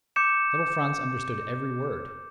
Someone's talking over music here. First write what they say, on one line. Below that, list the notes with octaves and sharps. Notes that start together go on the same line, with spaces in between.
Little Franz understood every word.
D6 G6 C#7 E7